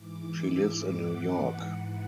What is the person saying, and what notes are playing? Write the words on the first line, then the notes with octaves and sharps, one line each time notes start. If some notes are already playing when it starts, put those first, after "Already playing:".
She lives in New York.
Already playing: G#2 E3 D6
E6
G#2 E3 D6
F#5
G#2 E3